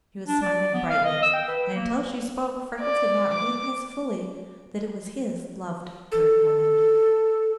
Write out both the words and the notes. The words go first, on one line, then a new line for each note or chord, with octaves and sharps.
She was smiling brightly; and until she spoke, Freckles had not realized fully that it was his loved Bird Woman.
D4
D5
B3
F5
D#5
E6
G5
B4
A#3
D5
D6
A4